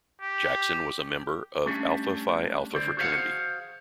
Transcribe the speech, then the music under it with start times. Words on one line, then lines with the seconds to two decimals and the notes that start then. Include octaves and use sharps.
Jackson was a member of Alpha Phi Alpha fraternity.
0.21 G4
1.65 G3 A3 C#4 D4
2.74 D3 C5 D5
2.97 F#4 G#4 C5 D5 F5 F#5